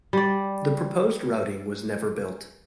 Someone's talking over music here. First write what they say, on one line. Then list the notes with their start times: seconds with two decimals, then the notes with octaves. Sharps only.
The proposed routing was never built.
0.13 G3 D5